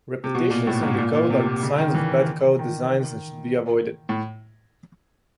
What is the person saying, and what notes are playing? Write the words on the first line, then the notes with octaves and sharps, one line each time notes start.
Repetitions in the code are signs of bad code designs and should be avoided.
C3
B2
A#2
A2
G#2
A#2
A#2
C3
C3
C#3
D#3
E3
D#3
A2